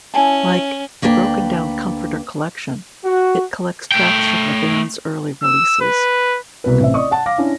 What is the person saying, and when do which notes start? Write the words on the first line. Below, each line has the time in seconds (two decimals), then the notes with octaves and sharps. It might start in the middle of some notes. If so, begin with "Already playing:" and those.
Like "The Broken Down Comforter Collection", it collects tracks from the band's early releases.
0.14 C#4 E4 G#5 A5
1.02 D2 A#3 D4 B4 G5
3.05 F#4
3.92 A3 G5
5.43 E6
5.81 B4
6.64 C2 B2 B4
6.80 A1 C4 E5
6.94 D5 D#5 C#6 D#6
7.11 F#5 A5
7.26 F5 D6 A#6
7.38 C#4 D4 E4